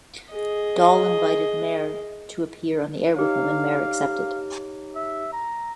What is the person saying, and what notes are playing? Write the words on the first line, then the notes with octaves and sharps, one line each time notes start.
Dahl invited Meier to appear on the air with him, and Meier accepted.
G#4 D#5
D#4 G4 C#5 F5
E5
A#5